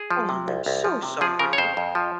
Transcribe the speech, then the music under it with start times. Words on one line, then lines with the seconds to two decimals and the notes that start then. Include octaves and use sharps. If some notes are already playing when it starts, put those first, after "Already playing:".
Oh, honey, I'm so sorry.
Already playing: G#4
0.11 F3
0.29 C3
0.48 C2
0.66 C2
0.84 F3
1.03 C3
1.21 F3 G#4
1.39 C#3 A#4
1.53 C#5
1.58 F2 C5
1.77 F2
1.95 F3